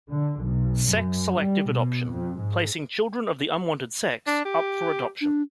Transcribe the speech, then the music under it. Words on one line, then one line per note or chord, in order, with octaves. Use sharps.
Sex-selective adoption - Placing children of the unwanted sex up for adoption.
D3
B1
F#2
G3
B2
F2
G#2
D4
G4
D4